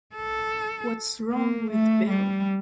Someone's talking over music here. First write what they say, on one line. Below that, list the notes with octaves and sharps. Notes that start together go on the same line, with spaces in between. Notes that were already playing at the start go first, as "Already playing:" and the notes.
What's Wrong with Bill?
A4
A#3
A3
G3